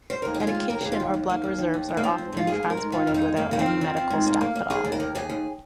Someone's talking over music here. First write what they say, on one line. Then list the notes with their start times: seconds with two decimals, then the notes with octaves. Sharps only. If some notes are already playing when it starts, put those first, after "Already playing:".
Medication or blood reserves are often transported without any medical staff at all.
0.10 C5
0.22 D#2 A#4
0.34 G#4
0.40 G#3
0.47 F4
0.55 D#2
0.69 D#2 A#4
0.81 G#4
0.84 D#2
0.92 F4
1.00 D#3
1.14 D#2
1.30 A#3
1.44 D#2
1.58 D#3
1.74 D#2
1.89 D#2
1.97 A#3
2.03 F3 C4
2.18 G#2
2.32 G#2 F4
2.47 A#3 G#4
2.63 G#2
2.70 A#4
2.77 G#2
2.92 D#3 F4
3.07 F2
3.14 D#4
3.22 G#3
3.36 F2 A#3
3.51 D#3 A#3
3.59 C4
3.66 F2
3.81 F3
3.97 F3
4.10 G#2
4.26 A#3
4.41 A#3
4.56 A#3
4.70 D#2 G#4
4.85 D#2
4.92 A#4
5.00 D#2
5.15 D#2 G#4
5.29 D#2